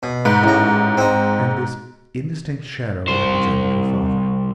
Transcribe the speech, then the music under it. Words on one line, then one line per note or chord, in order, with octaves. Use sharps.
And this indistinct shadow represented her father.
B2
G#2 B4
A1 A#5
C4 D#4
C2 C5